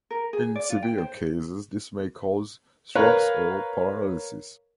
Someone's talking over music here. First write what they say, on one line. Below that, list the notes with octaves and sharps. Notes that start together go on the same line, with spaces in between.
In severe cases this may cause strokes or paralysis.
A#4
G#4
D5
F4
G5
C5
A#4 B4 C#5 F5